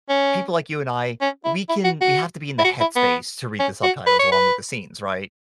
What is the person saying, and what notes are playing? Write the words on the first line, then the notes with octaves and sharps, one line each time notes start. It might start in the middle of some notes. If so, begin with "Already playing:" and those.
people like you and I, we can we have to be in the headspace to read the subtitles along with the scenes, right?
C#4
C#4
E4
E4
F#4
F#4
E4
F#4
E4
B3
C#4
F#4
B4
C#5
B4